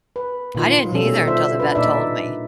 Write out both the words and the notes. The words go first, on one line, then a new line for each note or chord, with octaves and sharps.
I didn't either until the vet told me.
B4
A#2 D#3 F4
B2 G3 C#4 A4
F4 C5 E5
D4 B4
A#2 D#4 D5 E5